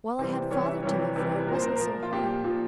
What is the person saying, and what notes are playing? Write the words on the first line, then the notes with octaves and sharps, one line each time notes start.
While I had Father to live for it wasn't so hard.
C3 E3 G3 C5
C3 E3 G3 C#5
E5
C3 E3 G3 C#5
C3 E3 G3
A#2 F3 A#4 C5
A#4
C5
A#2 F3 A#4
F4
A#2 F3 G4
A#2 F3